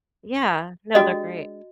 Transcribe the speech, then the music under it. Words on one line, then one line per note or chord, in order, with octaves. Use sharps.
Yeah. No, they're great.
G#3 D4 F#4 G4 D#5